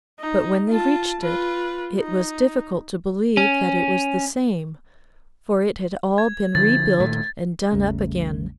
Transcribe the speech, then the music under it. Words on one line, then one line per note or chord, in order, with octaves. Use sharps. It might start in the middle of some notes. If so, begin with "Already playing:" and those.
But when they reached it, it was difficult to believe that it was the same, for it had all been rebuilt and done up again.
D#4
F4 A5
F4 B4
D#4
C#4
G#6
D3 F3 A6
A#2 D#3 A3
A1 E2 C#3 G3 A3 C#4